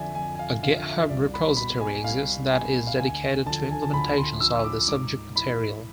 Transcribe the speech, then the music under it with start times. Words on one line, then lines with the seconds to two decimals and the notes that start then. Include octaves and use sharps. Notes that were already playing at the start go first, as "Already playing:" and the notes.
A github repository exists that is dedicated to implementations of the subject material.
Already playing: F2 D3 F3 D5 E5 G#5
0.15 F2 G#5
0.35 G#5
0.39 F5
0.63 D3 F5
0.67 F3
0.77 F5
0.86 E5
1.04 E5
1.09 C2 D5
1.34 B5
1.57 B2 B5
1.80 G#5
2.04 C2 F5
2.52 B2 G#5
2.87 F5
2.98 D2 G#5
3.46 D3 F3 A5
3.71 G#5
3.82 A5
3.94 D2 B5
4.17 C6
4.41 D3 F3 E6
4.56 E6
4.64 D6
4.87 G#2 D6
5.35 E3 B5